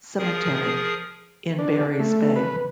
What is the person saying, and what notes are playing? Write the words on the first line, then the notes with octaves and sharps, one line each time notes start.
Cemetery, in Barry's Bay.
F3 G#4 A#4 D#6
D4
A3
B4